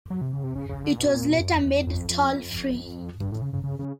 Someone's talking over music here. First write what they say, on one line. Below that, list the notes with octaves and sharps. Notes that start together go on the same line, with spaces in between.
It was later made toll free.
F#3
C3
C#3
C3
C#3
C#3
D3
A#2
B2
A#2
B2
F2
F#2
F2
E2
F2
F2
F2
G2
A2
C#3
C#3
C#3
C#3